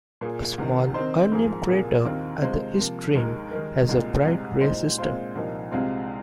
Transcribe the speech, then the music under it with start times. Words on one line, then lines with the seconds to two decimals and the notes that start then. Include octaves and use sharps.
A small, unnamed crater at the east rim has a bright ray system.
0.21 A#2 A#3 G#4
0.58 C2 C3 D#3
0.94 D#3 C4 D#4 C5
1.32 G#2 F3 A#3 G#4
1.68 C2 A#2 A#3 G#4
2.05 D#2 D#3 C4 F4 A#4
2.41 C3 G#3 F4 C5
2.78 C3 F3 A#3
3.15 D#2 D#3 G#3 D#4 A#4
3.51 D#3 G#3 D#4 A#4
3.89 C2 A#2 G#3
4.25 C2 C3 G#3
4.61 A#2 G#3 D#4 C5
4.98 A#2 G#3 C4 F4 C5
5.35 C2 A#2 F3 A#3 D#4
5.71 C2 C3 G#3 C4 F4